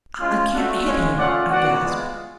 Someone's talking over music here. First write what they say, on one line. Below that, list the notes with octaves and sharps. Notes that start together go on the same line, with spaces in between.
"I can't hit him," I gasped.
G#3 C#4 F4
A3 D4 F#4
G#3 C#4 F4
A3 C#4 F4 D5 F#5
B3 F#4 D5 F#5
G#3 B3 F4